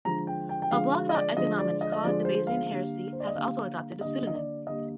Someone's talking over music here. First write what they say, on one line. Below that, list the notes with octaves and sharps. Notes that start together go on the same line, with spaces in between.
A blog about economics called "The Bayesian Heresy" has also adopted the pseudonym.
D3 F3 G#3 A#5
G5
G5
G5
D3 F3 G#3 F5
F5
D#5
D5
D3 F3 G#3 D#5
D5
D#5
D#5
D3 F3 G#3 D5
C5
F5
D3 G3 A#3
C5
D5
D#5
D3 G3 A#3 F5
D3 G3 A#3 D#5
D#5
D5
D3 G3 A#3 D#5